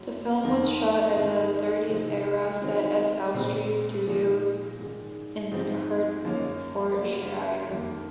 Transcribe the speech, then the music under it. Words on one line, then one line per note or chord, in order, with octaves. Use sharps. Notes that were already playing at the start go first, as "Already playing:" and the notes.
The film was shot at the "thirties era" sets at Elstree Studios in Hertfordshire.
Already playing: F#2 C#3 F#3 A#3
F2 D#3 A#3 D#4
G#2 D#3 G#3 D#4
C3 F3 C4 D#4
D#3 F#3 C4 D#4
A#2 G#3 C4
A#2 F3 G#3 D#4
G#2 D#3 G#3
G#2 F3 C4 D#4
F#2 F3 A#3 C#4
F#2 C#3 F#3 A#3
F2 D#3 A#3